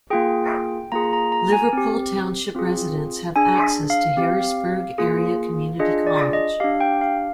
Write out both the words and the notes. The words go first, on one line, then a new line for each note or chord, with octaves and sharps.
Liverpool Township residents have access to Harrisburg Area Community College.
A#3 F4 G#4 G5
A#3 F4 G#4 A#5
A#5
A#5
G#5
C4 G4
C4 F4 G#4
D4 G#4 G#5
F5
C4 G4
A#3 F4 G#4
D4 F4 G#4 D#5
D5
D#5
D4 G4 F5
G5
F5